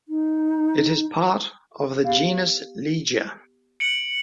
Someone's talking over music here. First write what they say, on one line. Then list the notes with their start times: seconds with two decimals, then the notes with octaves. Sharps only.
It is part of the genus Ligia.
0.08 D#4
2.04 B3 G4 F5
3.80 C#7 D7 F#7